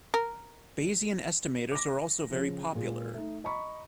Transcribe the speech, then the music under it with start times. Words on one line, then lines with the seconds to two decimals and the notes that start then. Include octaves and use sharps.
Bayesian estimators are also very popular.
0.14 A#4
1.72 D6 A#6
2.30 C#3 F3
2.75 A#2 G#3 F4 G#4
3.14 A3 D#4
3.44 D#5 A#5 B5 C#6